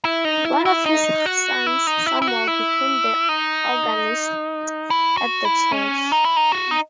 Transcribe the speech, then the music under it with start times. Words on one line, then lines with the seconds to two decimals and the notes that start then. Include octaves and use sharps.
One of his sons, Samuel, became the organist at the church.
0.05 E4
0.25 D#4
0.45 E4
0.65 E4
0.86 D#4
1.26 F#4
1.67 E4
1.87 D#4
2.06 E4
2.22 E4
2.27 F#4
2.47 E4
3.29 D#4
4.90 E4
5.17 F#4
5.45 E4
5.72 C#4
6.12 D#4
6.25 E4
6.36 D#4
6.52 F#4
6.71 D#4